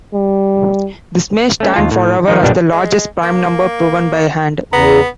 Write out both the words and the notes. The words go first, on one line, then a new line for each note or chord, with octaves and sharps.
This may stand forever as the largest prime number proven by hand.
G3
A3 C#4
D#2 F4 A5
A2
D#3 F3 D#4
B1 G2 A#2 G3 B3 D4
G#3
A#3
E2 C#3 B3 A#5